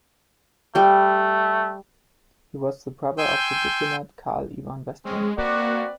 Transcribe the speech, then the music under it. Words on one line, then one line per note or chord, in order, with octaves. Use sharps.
He was the brother of the diplomat Karl Ivan Westman.
G3 A3 G5
G5 G#5 C6 E6 G6
G#3 C4 C#4
A#3 C4 F#4 B4 D5